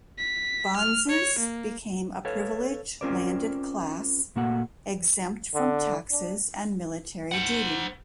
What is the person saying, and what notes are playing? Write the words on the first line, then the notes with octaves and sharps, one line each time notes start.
Bonzes became a privileged landed class, exempt from taxes and military duty.
B6
F6
C#5
A#3
A4 B4 C#5 F5
C4 C#4 F4 A#4 C5 D5
A#2 A3 A#3 F#4 F#5
D3
D4
C5 F#5